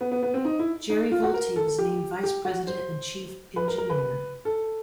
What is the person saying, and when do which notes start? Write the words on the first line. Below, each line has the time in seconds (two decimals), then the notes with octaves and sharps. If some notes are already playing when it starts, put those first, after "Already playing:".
Jerry Vultee was named vice president and chief engineer.
0.01 B3
0.12 B3
0.23 B3
0.34 C4
0.45 D#4
0.59 E4
0.90 D#4
1.12 F4
1.23 F#4
1.34 A#4
1.56 A4
1.79 G4
2.23 G4
2.45 F#4
2.67 C5
3.56 B4
3.68 A#4
3.78 A#4
3.90 B4
4.45 A4